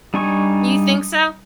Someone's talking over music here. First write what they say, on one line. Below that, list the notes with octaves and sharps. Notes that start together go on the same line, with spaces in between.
You think so?
G3 D4 D#4 G#5 C#6